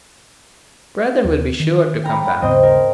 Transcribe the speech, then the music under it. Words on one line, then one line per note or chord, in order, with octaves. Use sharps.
Brother will be sure to come back.
D#2
D#3
G5 A#5 B5
D#1 G#2 C#3 C4 D#5
A#4